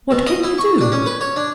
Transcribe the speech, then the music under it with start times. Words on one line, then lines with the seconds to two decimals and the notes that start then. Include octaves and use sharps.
What can you do?'
0.11 B2
0.27 D#5
0.43 E4
0.58 C#6
0.81 D4
0.92 C#4
1.06 B4
1.21 C#5
1.36 D4